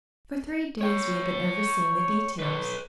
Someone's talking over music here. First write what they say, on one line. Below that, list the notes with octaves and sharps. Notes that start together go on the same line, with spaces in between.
For three days we had been overseeing the details.
C#5 G5
B4 C#5